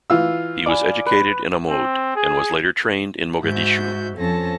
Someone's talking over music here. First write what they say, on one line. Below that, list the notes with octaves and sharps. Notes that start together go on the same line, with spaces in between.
He was educated in Amoud, and was later trained in Mogadishu.
E3 F4 E6
D5 G#5 B5 D6
B4
C4
G#4
G#2 F#4 E5 G6
F2 F3 C#4 A4 A5 A#6